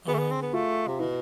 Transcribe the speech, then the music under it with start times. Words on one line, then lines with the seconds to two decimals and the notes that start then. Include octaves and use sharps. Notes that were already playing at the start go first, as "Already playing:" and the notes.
Um. Hmm.
0.08 B3 G#4
0.14 A3
0.19 B3
0.31 C4
0.42 B3
0.53 A3 F4
0.87 C3
0.99 B2 E4